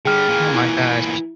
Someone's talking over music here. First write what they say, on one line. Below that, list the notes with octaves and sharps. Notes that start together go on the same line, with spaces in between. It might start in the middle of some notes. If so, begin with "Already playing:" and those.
Oh my gosh.
D3 G3 G#4 G5 F6
A#2 E3
E4